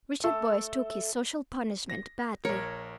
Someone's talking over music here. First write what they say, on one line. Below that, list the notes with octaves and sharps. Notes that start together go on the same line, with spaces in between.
Richard Boyce took his social punishment badly.
A3 A4
A#6
A#1 A#4 C#5